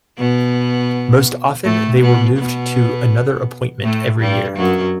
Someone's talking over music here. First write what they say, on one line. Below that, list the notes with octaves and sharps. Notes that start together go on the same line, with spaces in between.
Most often they were moved to another appointment every year.
B2 B3
A2 A3
B2 B3
B2 B3
A2 A3
G2 G3
F#2 F#3